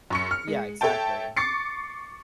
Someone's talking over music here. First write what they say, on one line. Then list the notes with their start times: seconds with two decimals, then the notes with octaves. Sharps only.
Yeah, exactly.
0.10 F#2 C#6 C#7
0.31 F6
0.47 G#3
0.81 A4 C#5 E5 G5 A5
1.37 C#6 D6 A6 C7 C#7